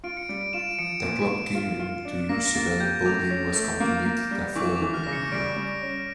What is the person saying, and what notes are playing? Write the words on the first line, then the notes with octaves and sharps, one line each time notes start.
The club came into use when building was completed the following year.
F4 D7
C#7
D7
G3
D7
F4 E7
D7
D7
F3 C#7
A#2
A#2
F4
F4
D4
A#3 A#6
A#6
A#3 A6
G4 G6
A3 D6
C#4
A3
A#3
A#3
G3
E3 C#6
D6
E3
F6
C#3 A#6
C#7
G3 D7
G3
C#4